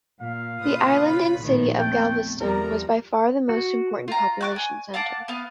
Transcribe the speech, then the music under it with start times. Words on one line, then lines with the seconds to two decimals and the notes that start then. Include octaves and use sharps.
The island and city of Galveston was by far the most important population center.
0.21 A#2 F5
0.62 A#2 C#3 F4 B4 D#6
1.06 C#5 B5
1.40 A#1 A2 D#3
1.78 E2 A3 C4 G5
2.40 E2 F3 G3 A#4 A#5
3.49 F#4
4.08 F4 A#5
4.41 D5 C#6 F#6
4.56 G#5
4.94 F5 F#5 A5 D6
5.28 B3 F5